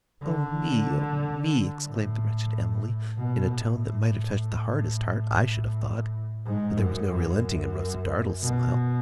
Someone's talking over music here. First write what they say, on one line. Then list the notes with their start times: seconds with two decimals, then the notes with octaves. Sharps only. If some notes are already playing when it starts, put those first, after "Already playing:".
'Oh me, oh me!' exclaimed the wretched Emily, in a tone that might have touched the hardest heart, I should have thought; but there was no relenting in Rosa Dartle's smile.
0.22 D3
1.85 A2
3.17 B2
3.49 A2
3.82 A2
6.45 G#2
6.77 F#2
7.10 F#2
8.41 B2